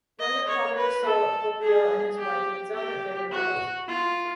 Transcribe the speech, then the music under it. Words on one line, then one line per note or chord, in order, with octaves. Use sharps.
When the commoners saw what Popiel and his wife had done, they rebelled.
D#5
C#5
B4
A4
G#4
G4
G4
F#4
F4